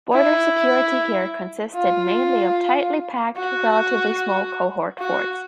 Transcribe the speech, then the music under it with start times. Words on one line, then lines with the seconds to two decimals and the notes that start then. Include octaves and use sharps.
Border security here consisted mainly of tightly packed, relatively small cohort forts.
0.12 E4
1.75 F4
3.37 F#4
4.99 F#4